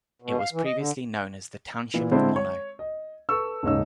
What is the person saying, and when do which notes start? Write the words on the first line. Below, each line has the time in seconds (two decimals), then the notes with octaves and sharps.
It was previously known as the Township of Mono.
0.22 B2
0.40 F5
0.53 E3
0.65 D#5
0.77 D3
1.94 A#2 E3
2.11 D3 G#3 C4 D4 E4 C5
2.36 C#5
2.79 D#5
3.29 A4 B4 C#6 E6
3.63 D#1 G#2 C#3 D#4 C#5 E6